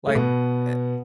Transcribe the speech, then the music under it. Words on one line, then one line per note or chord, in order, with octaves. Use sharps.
like, a
A3
B2 B3